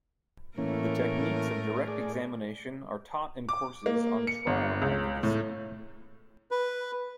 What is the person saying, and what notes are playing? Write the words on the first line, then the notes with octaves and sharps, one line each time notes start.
The techniques of direct examination are taught in courses on trial advocacy.
A2 E3 A3 A#3 C#4 A#4
G#4 D5
D6
A#3
C#7
G1
C#2
A2
B4